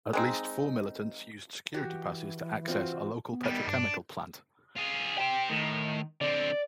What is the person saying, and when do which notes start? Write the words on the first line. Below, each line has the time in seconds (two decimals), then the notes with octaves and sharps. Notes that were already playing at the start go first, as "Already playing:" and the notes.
At least four militants used security passes to access a local petrochemical plant.
0.13 G#3 C4 D#4
1.74 E3 F#4 G4
2.68 C4 F4 F#4
3.32 B3
3.45 D#3 G3
3.67 G2 D4
4.76 F4 G#4
5.18 G4 C5 G5
5.50 A2 D#3
6.21 D3 C4 D5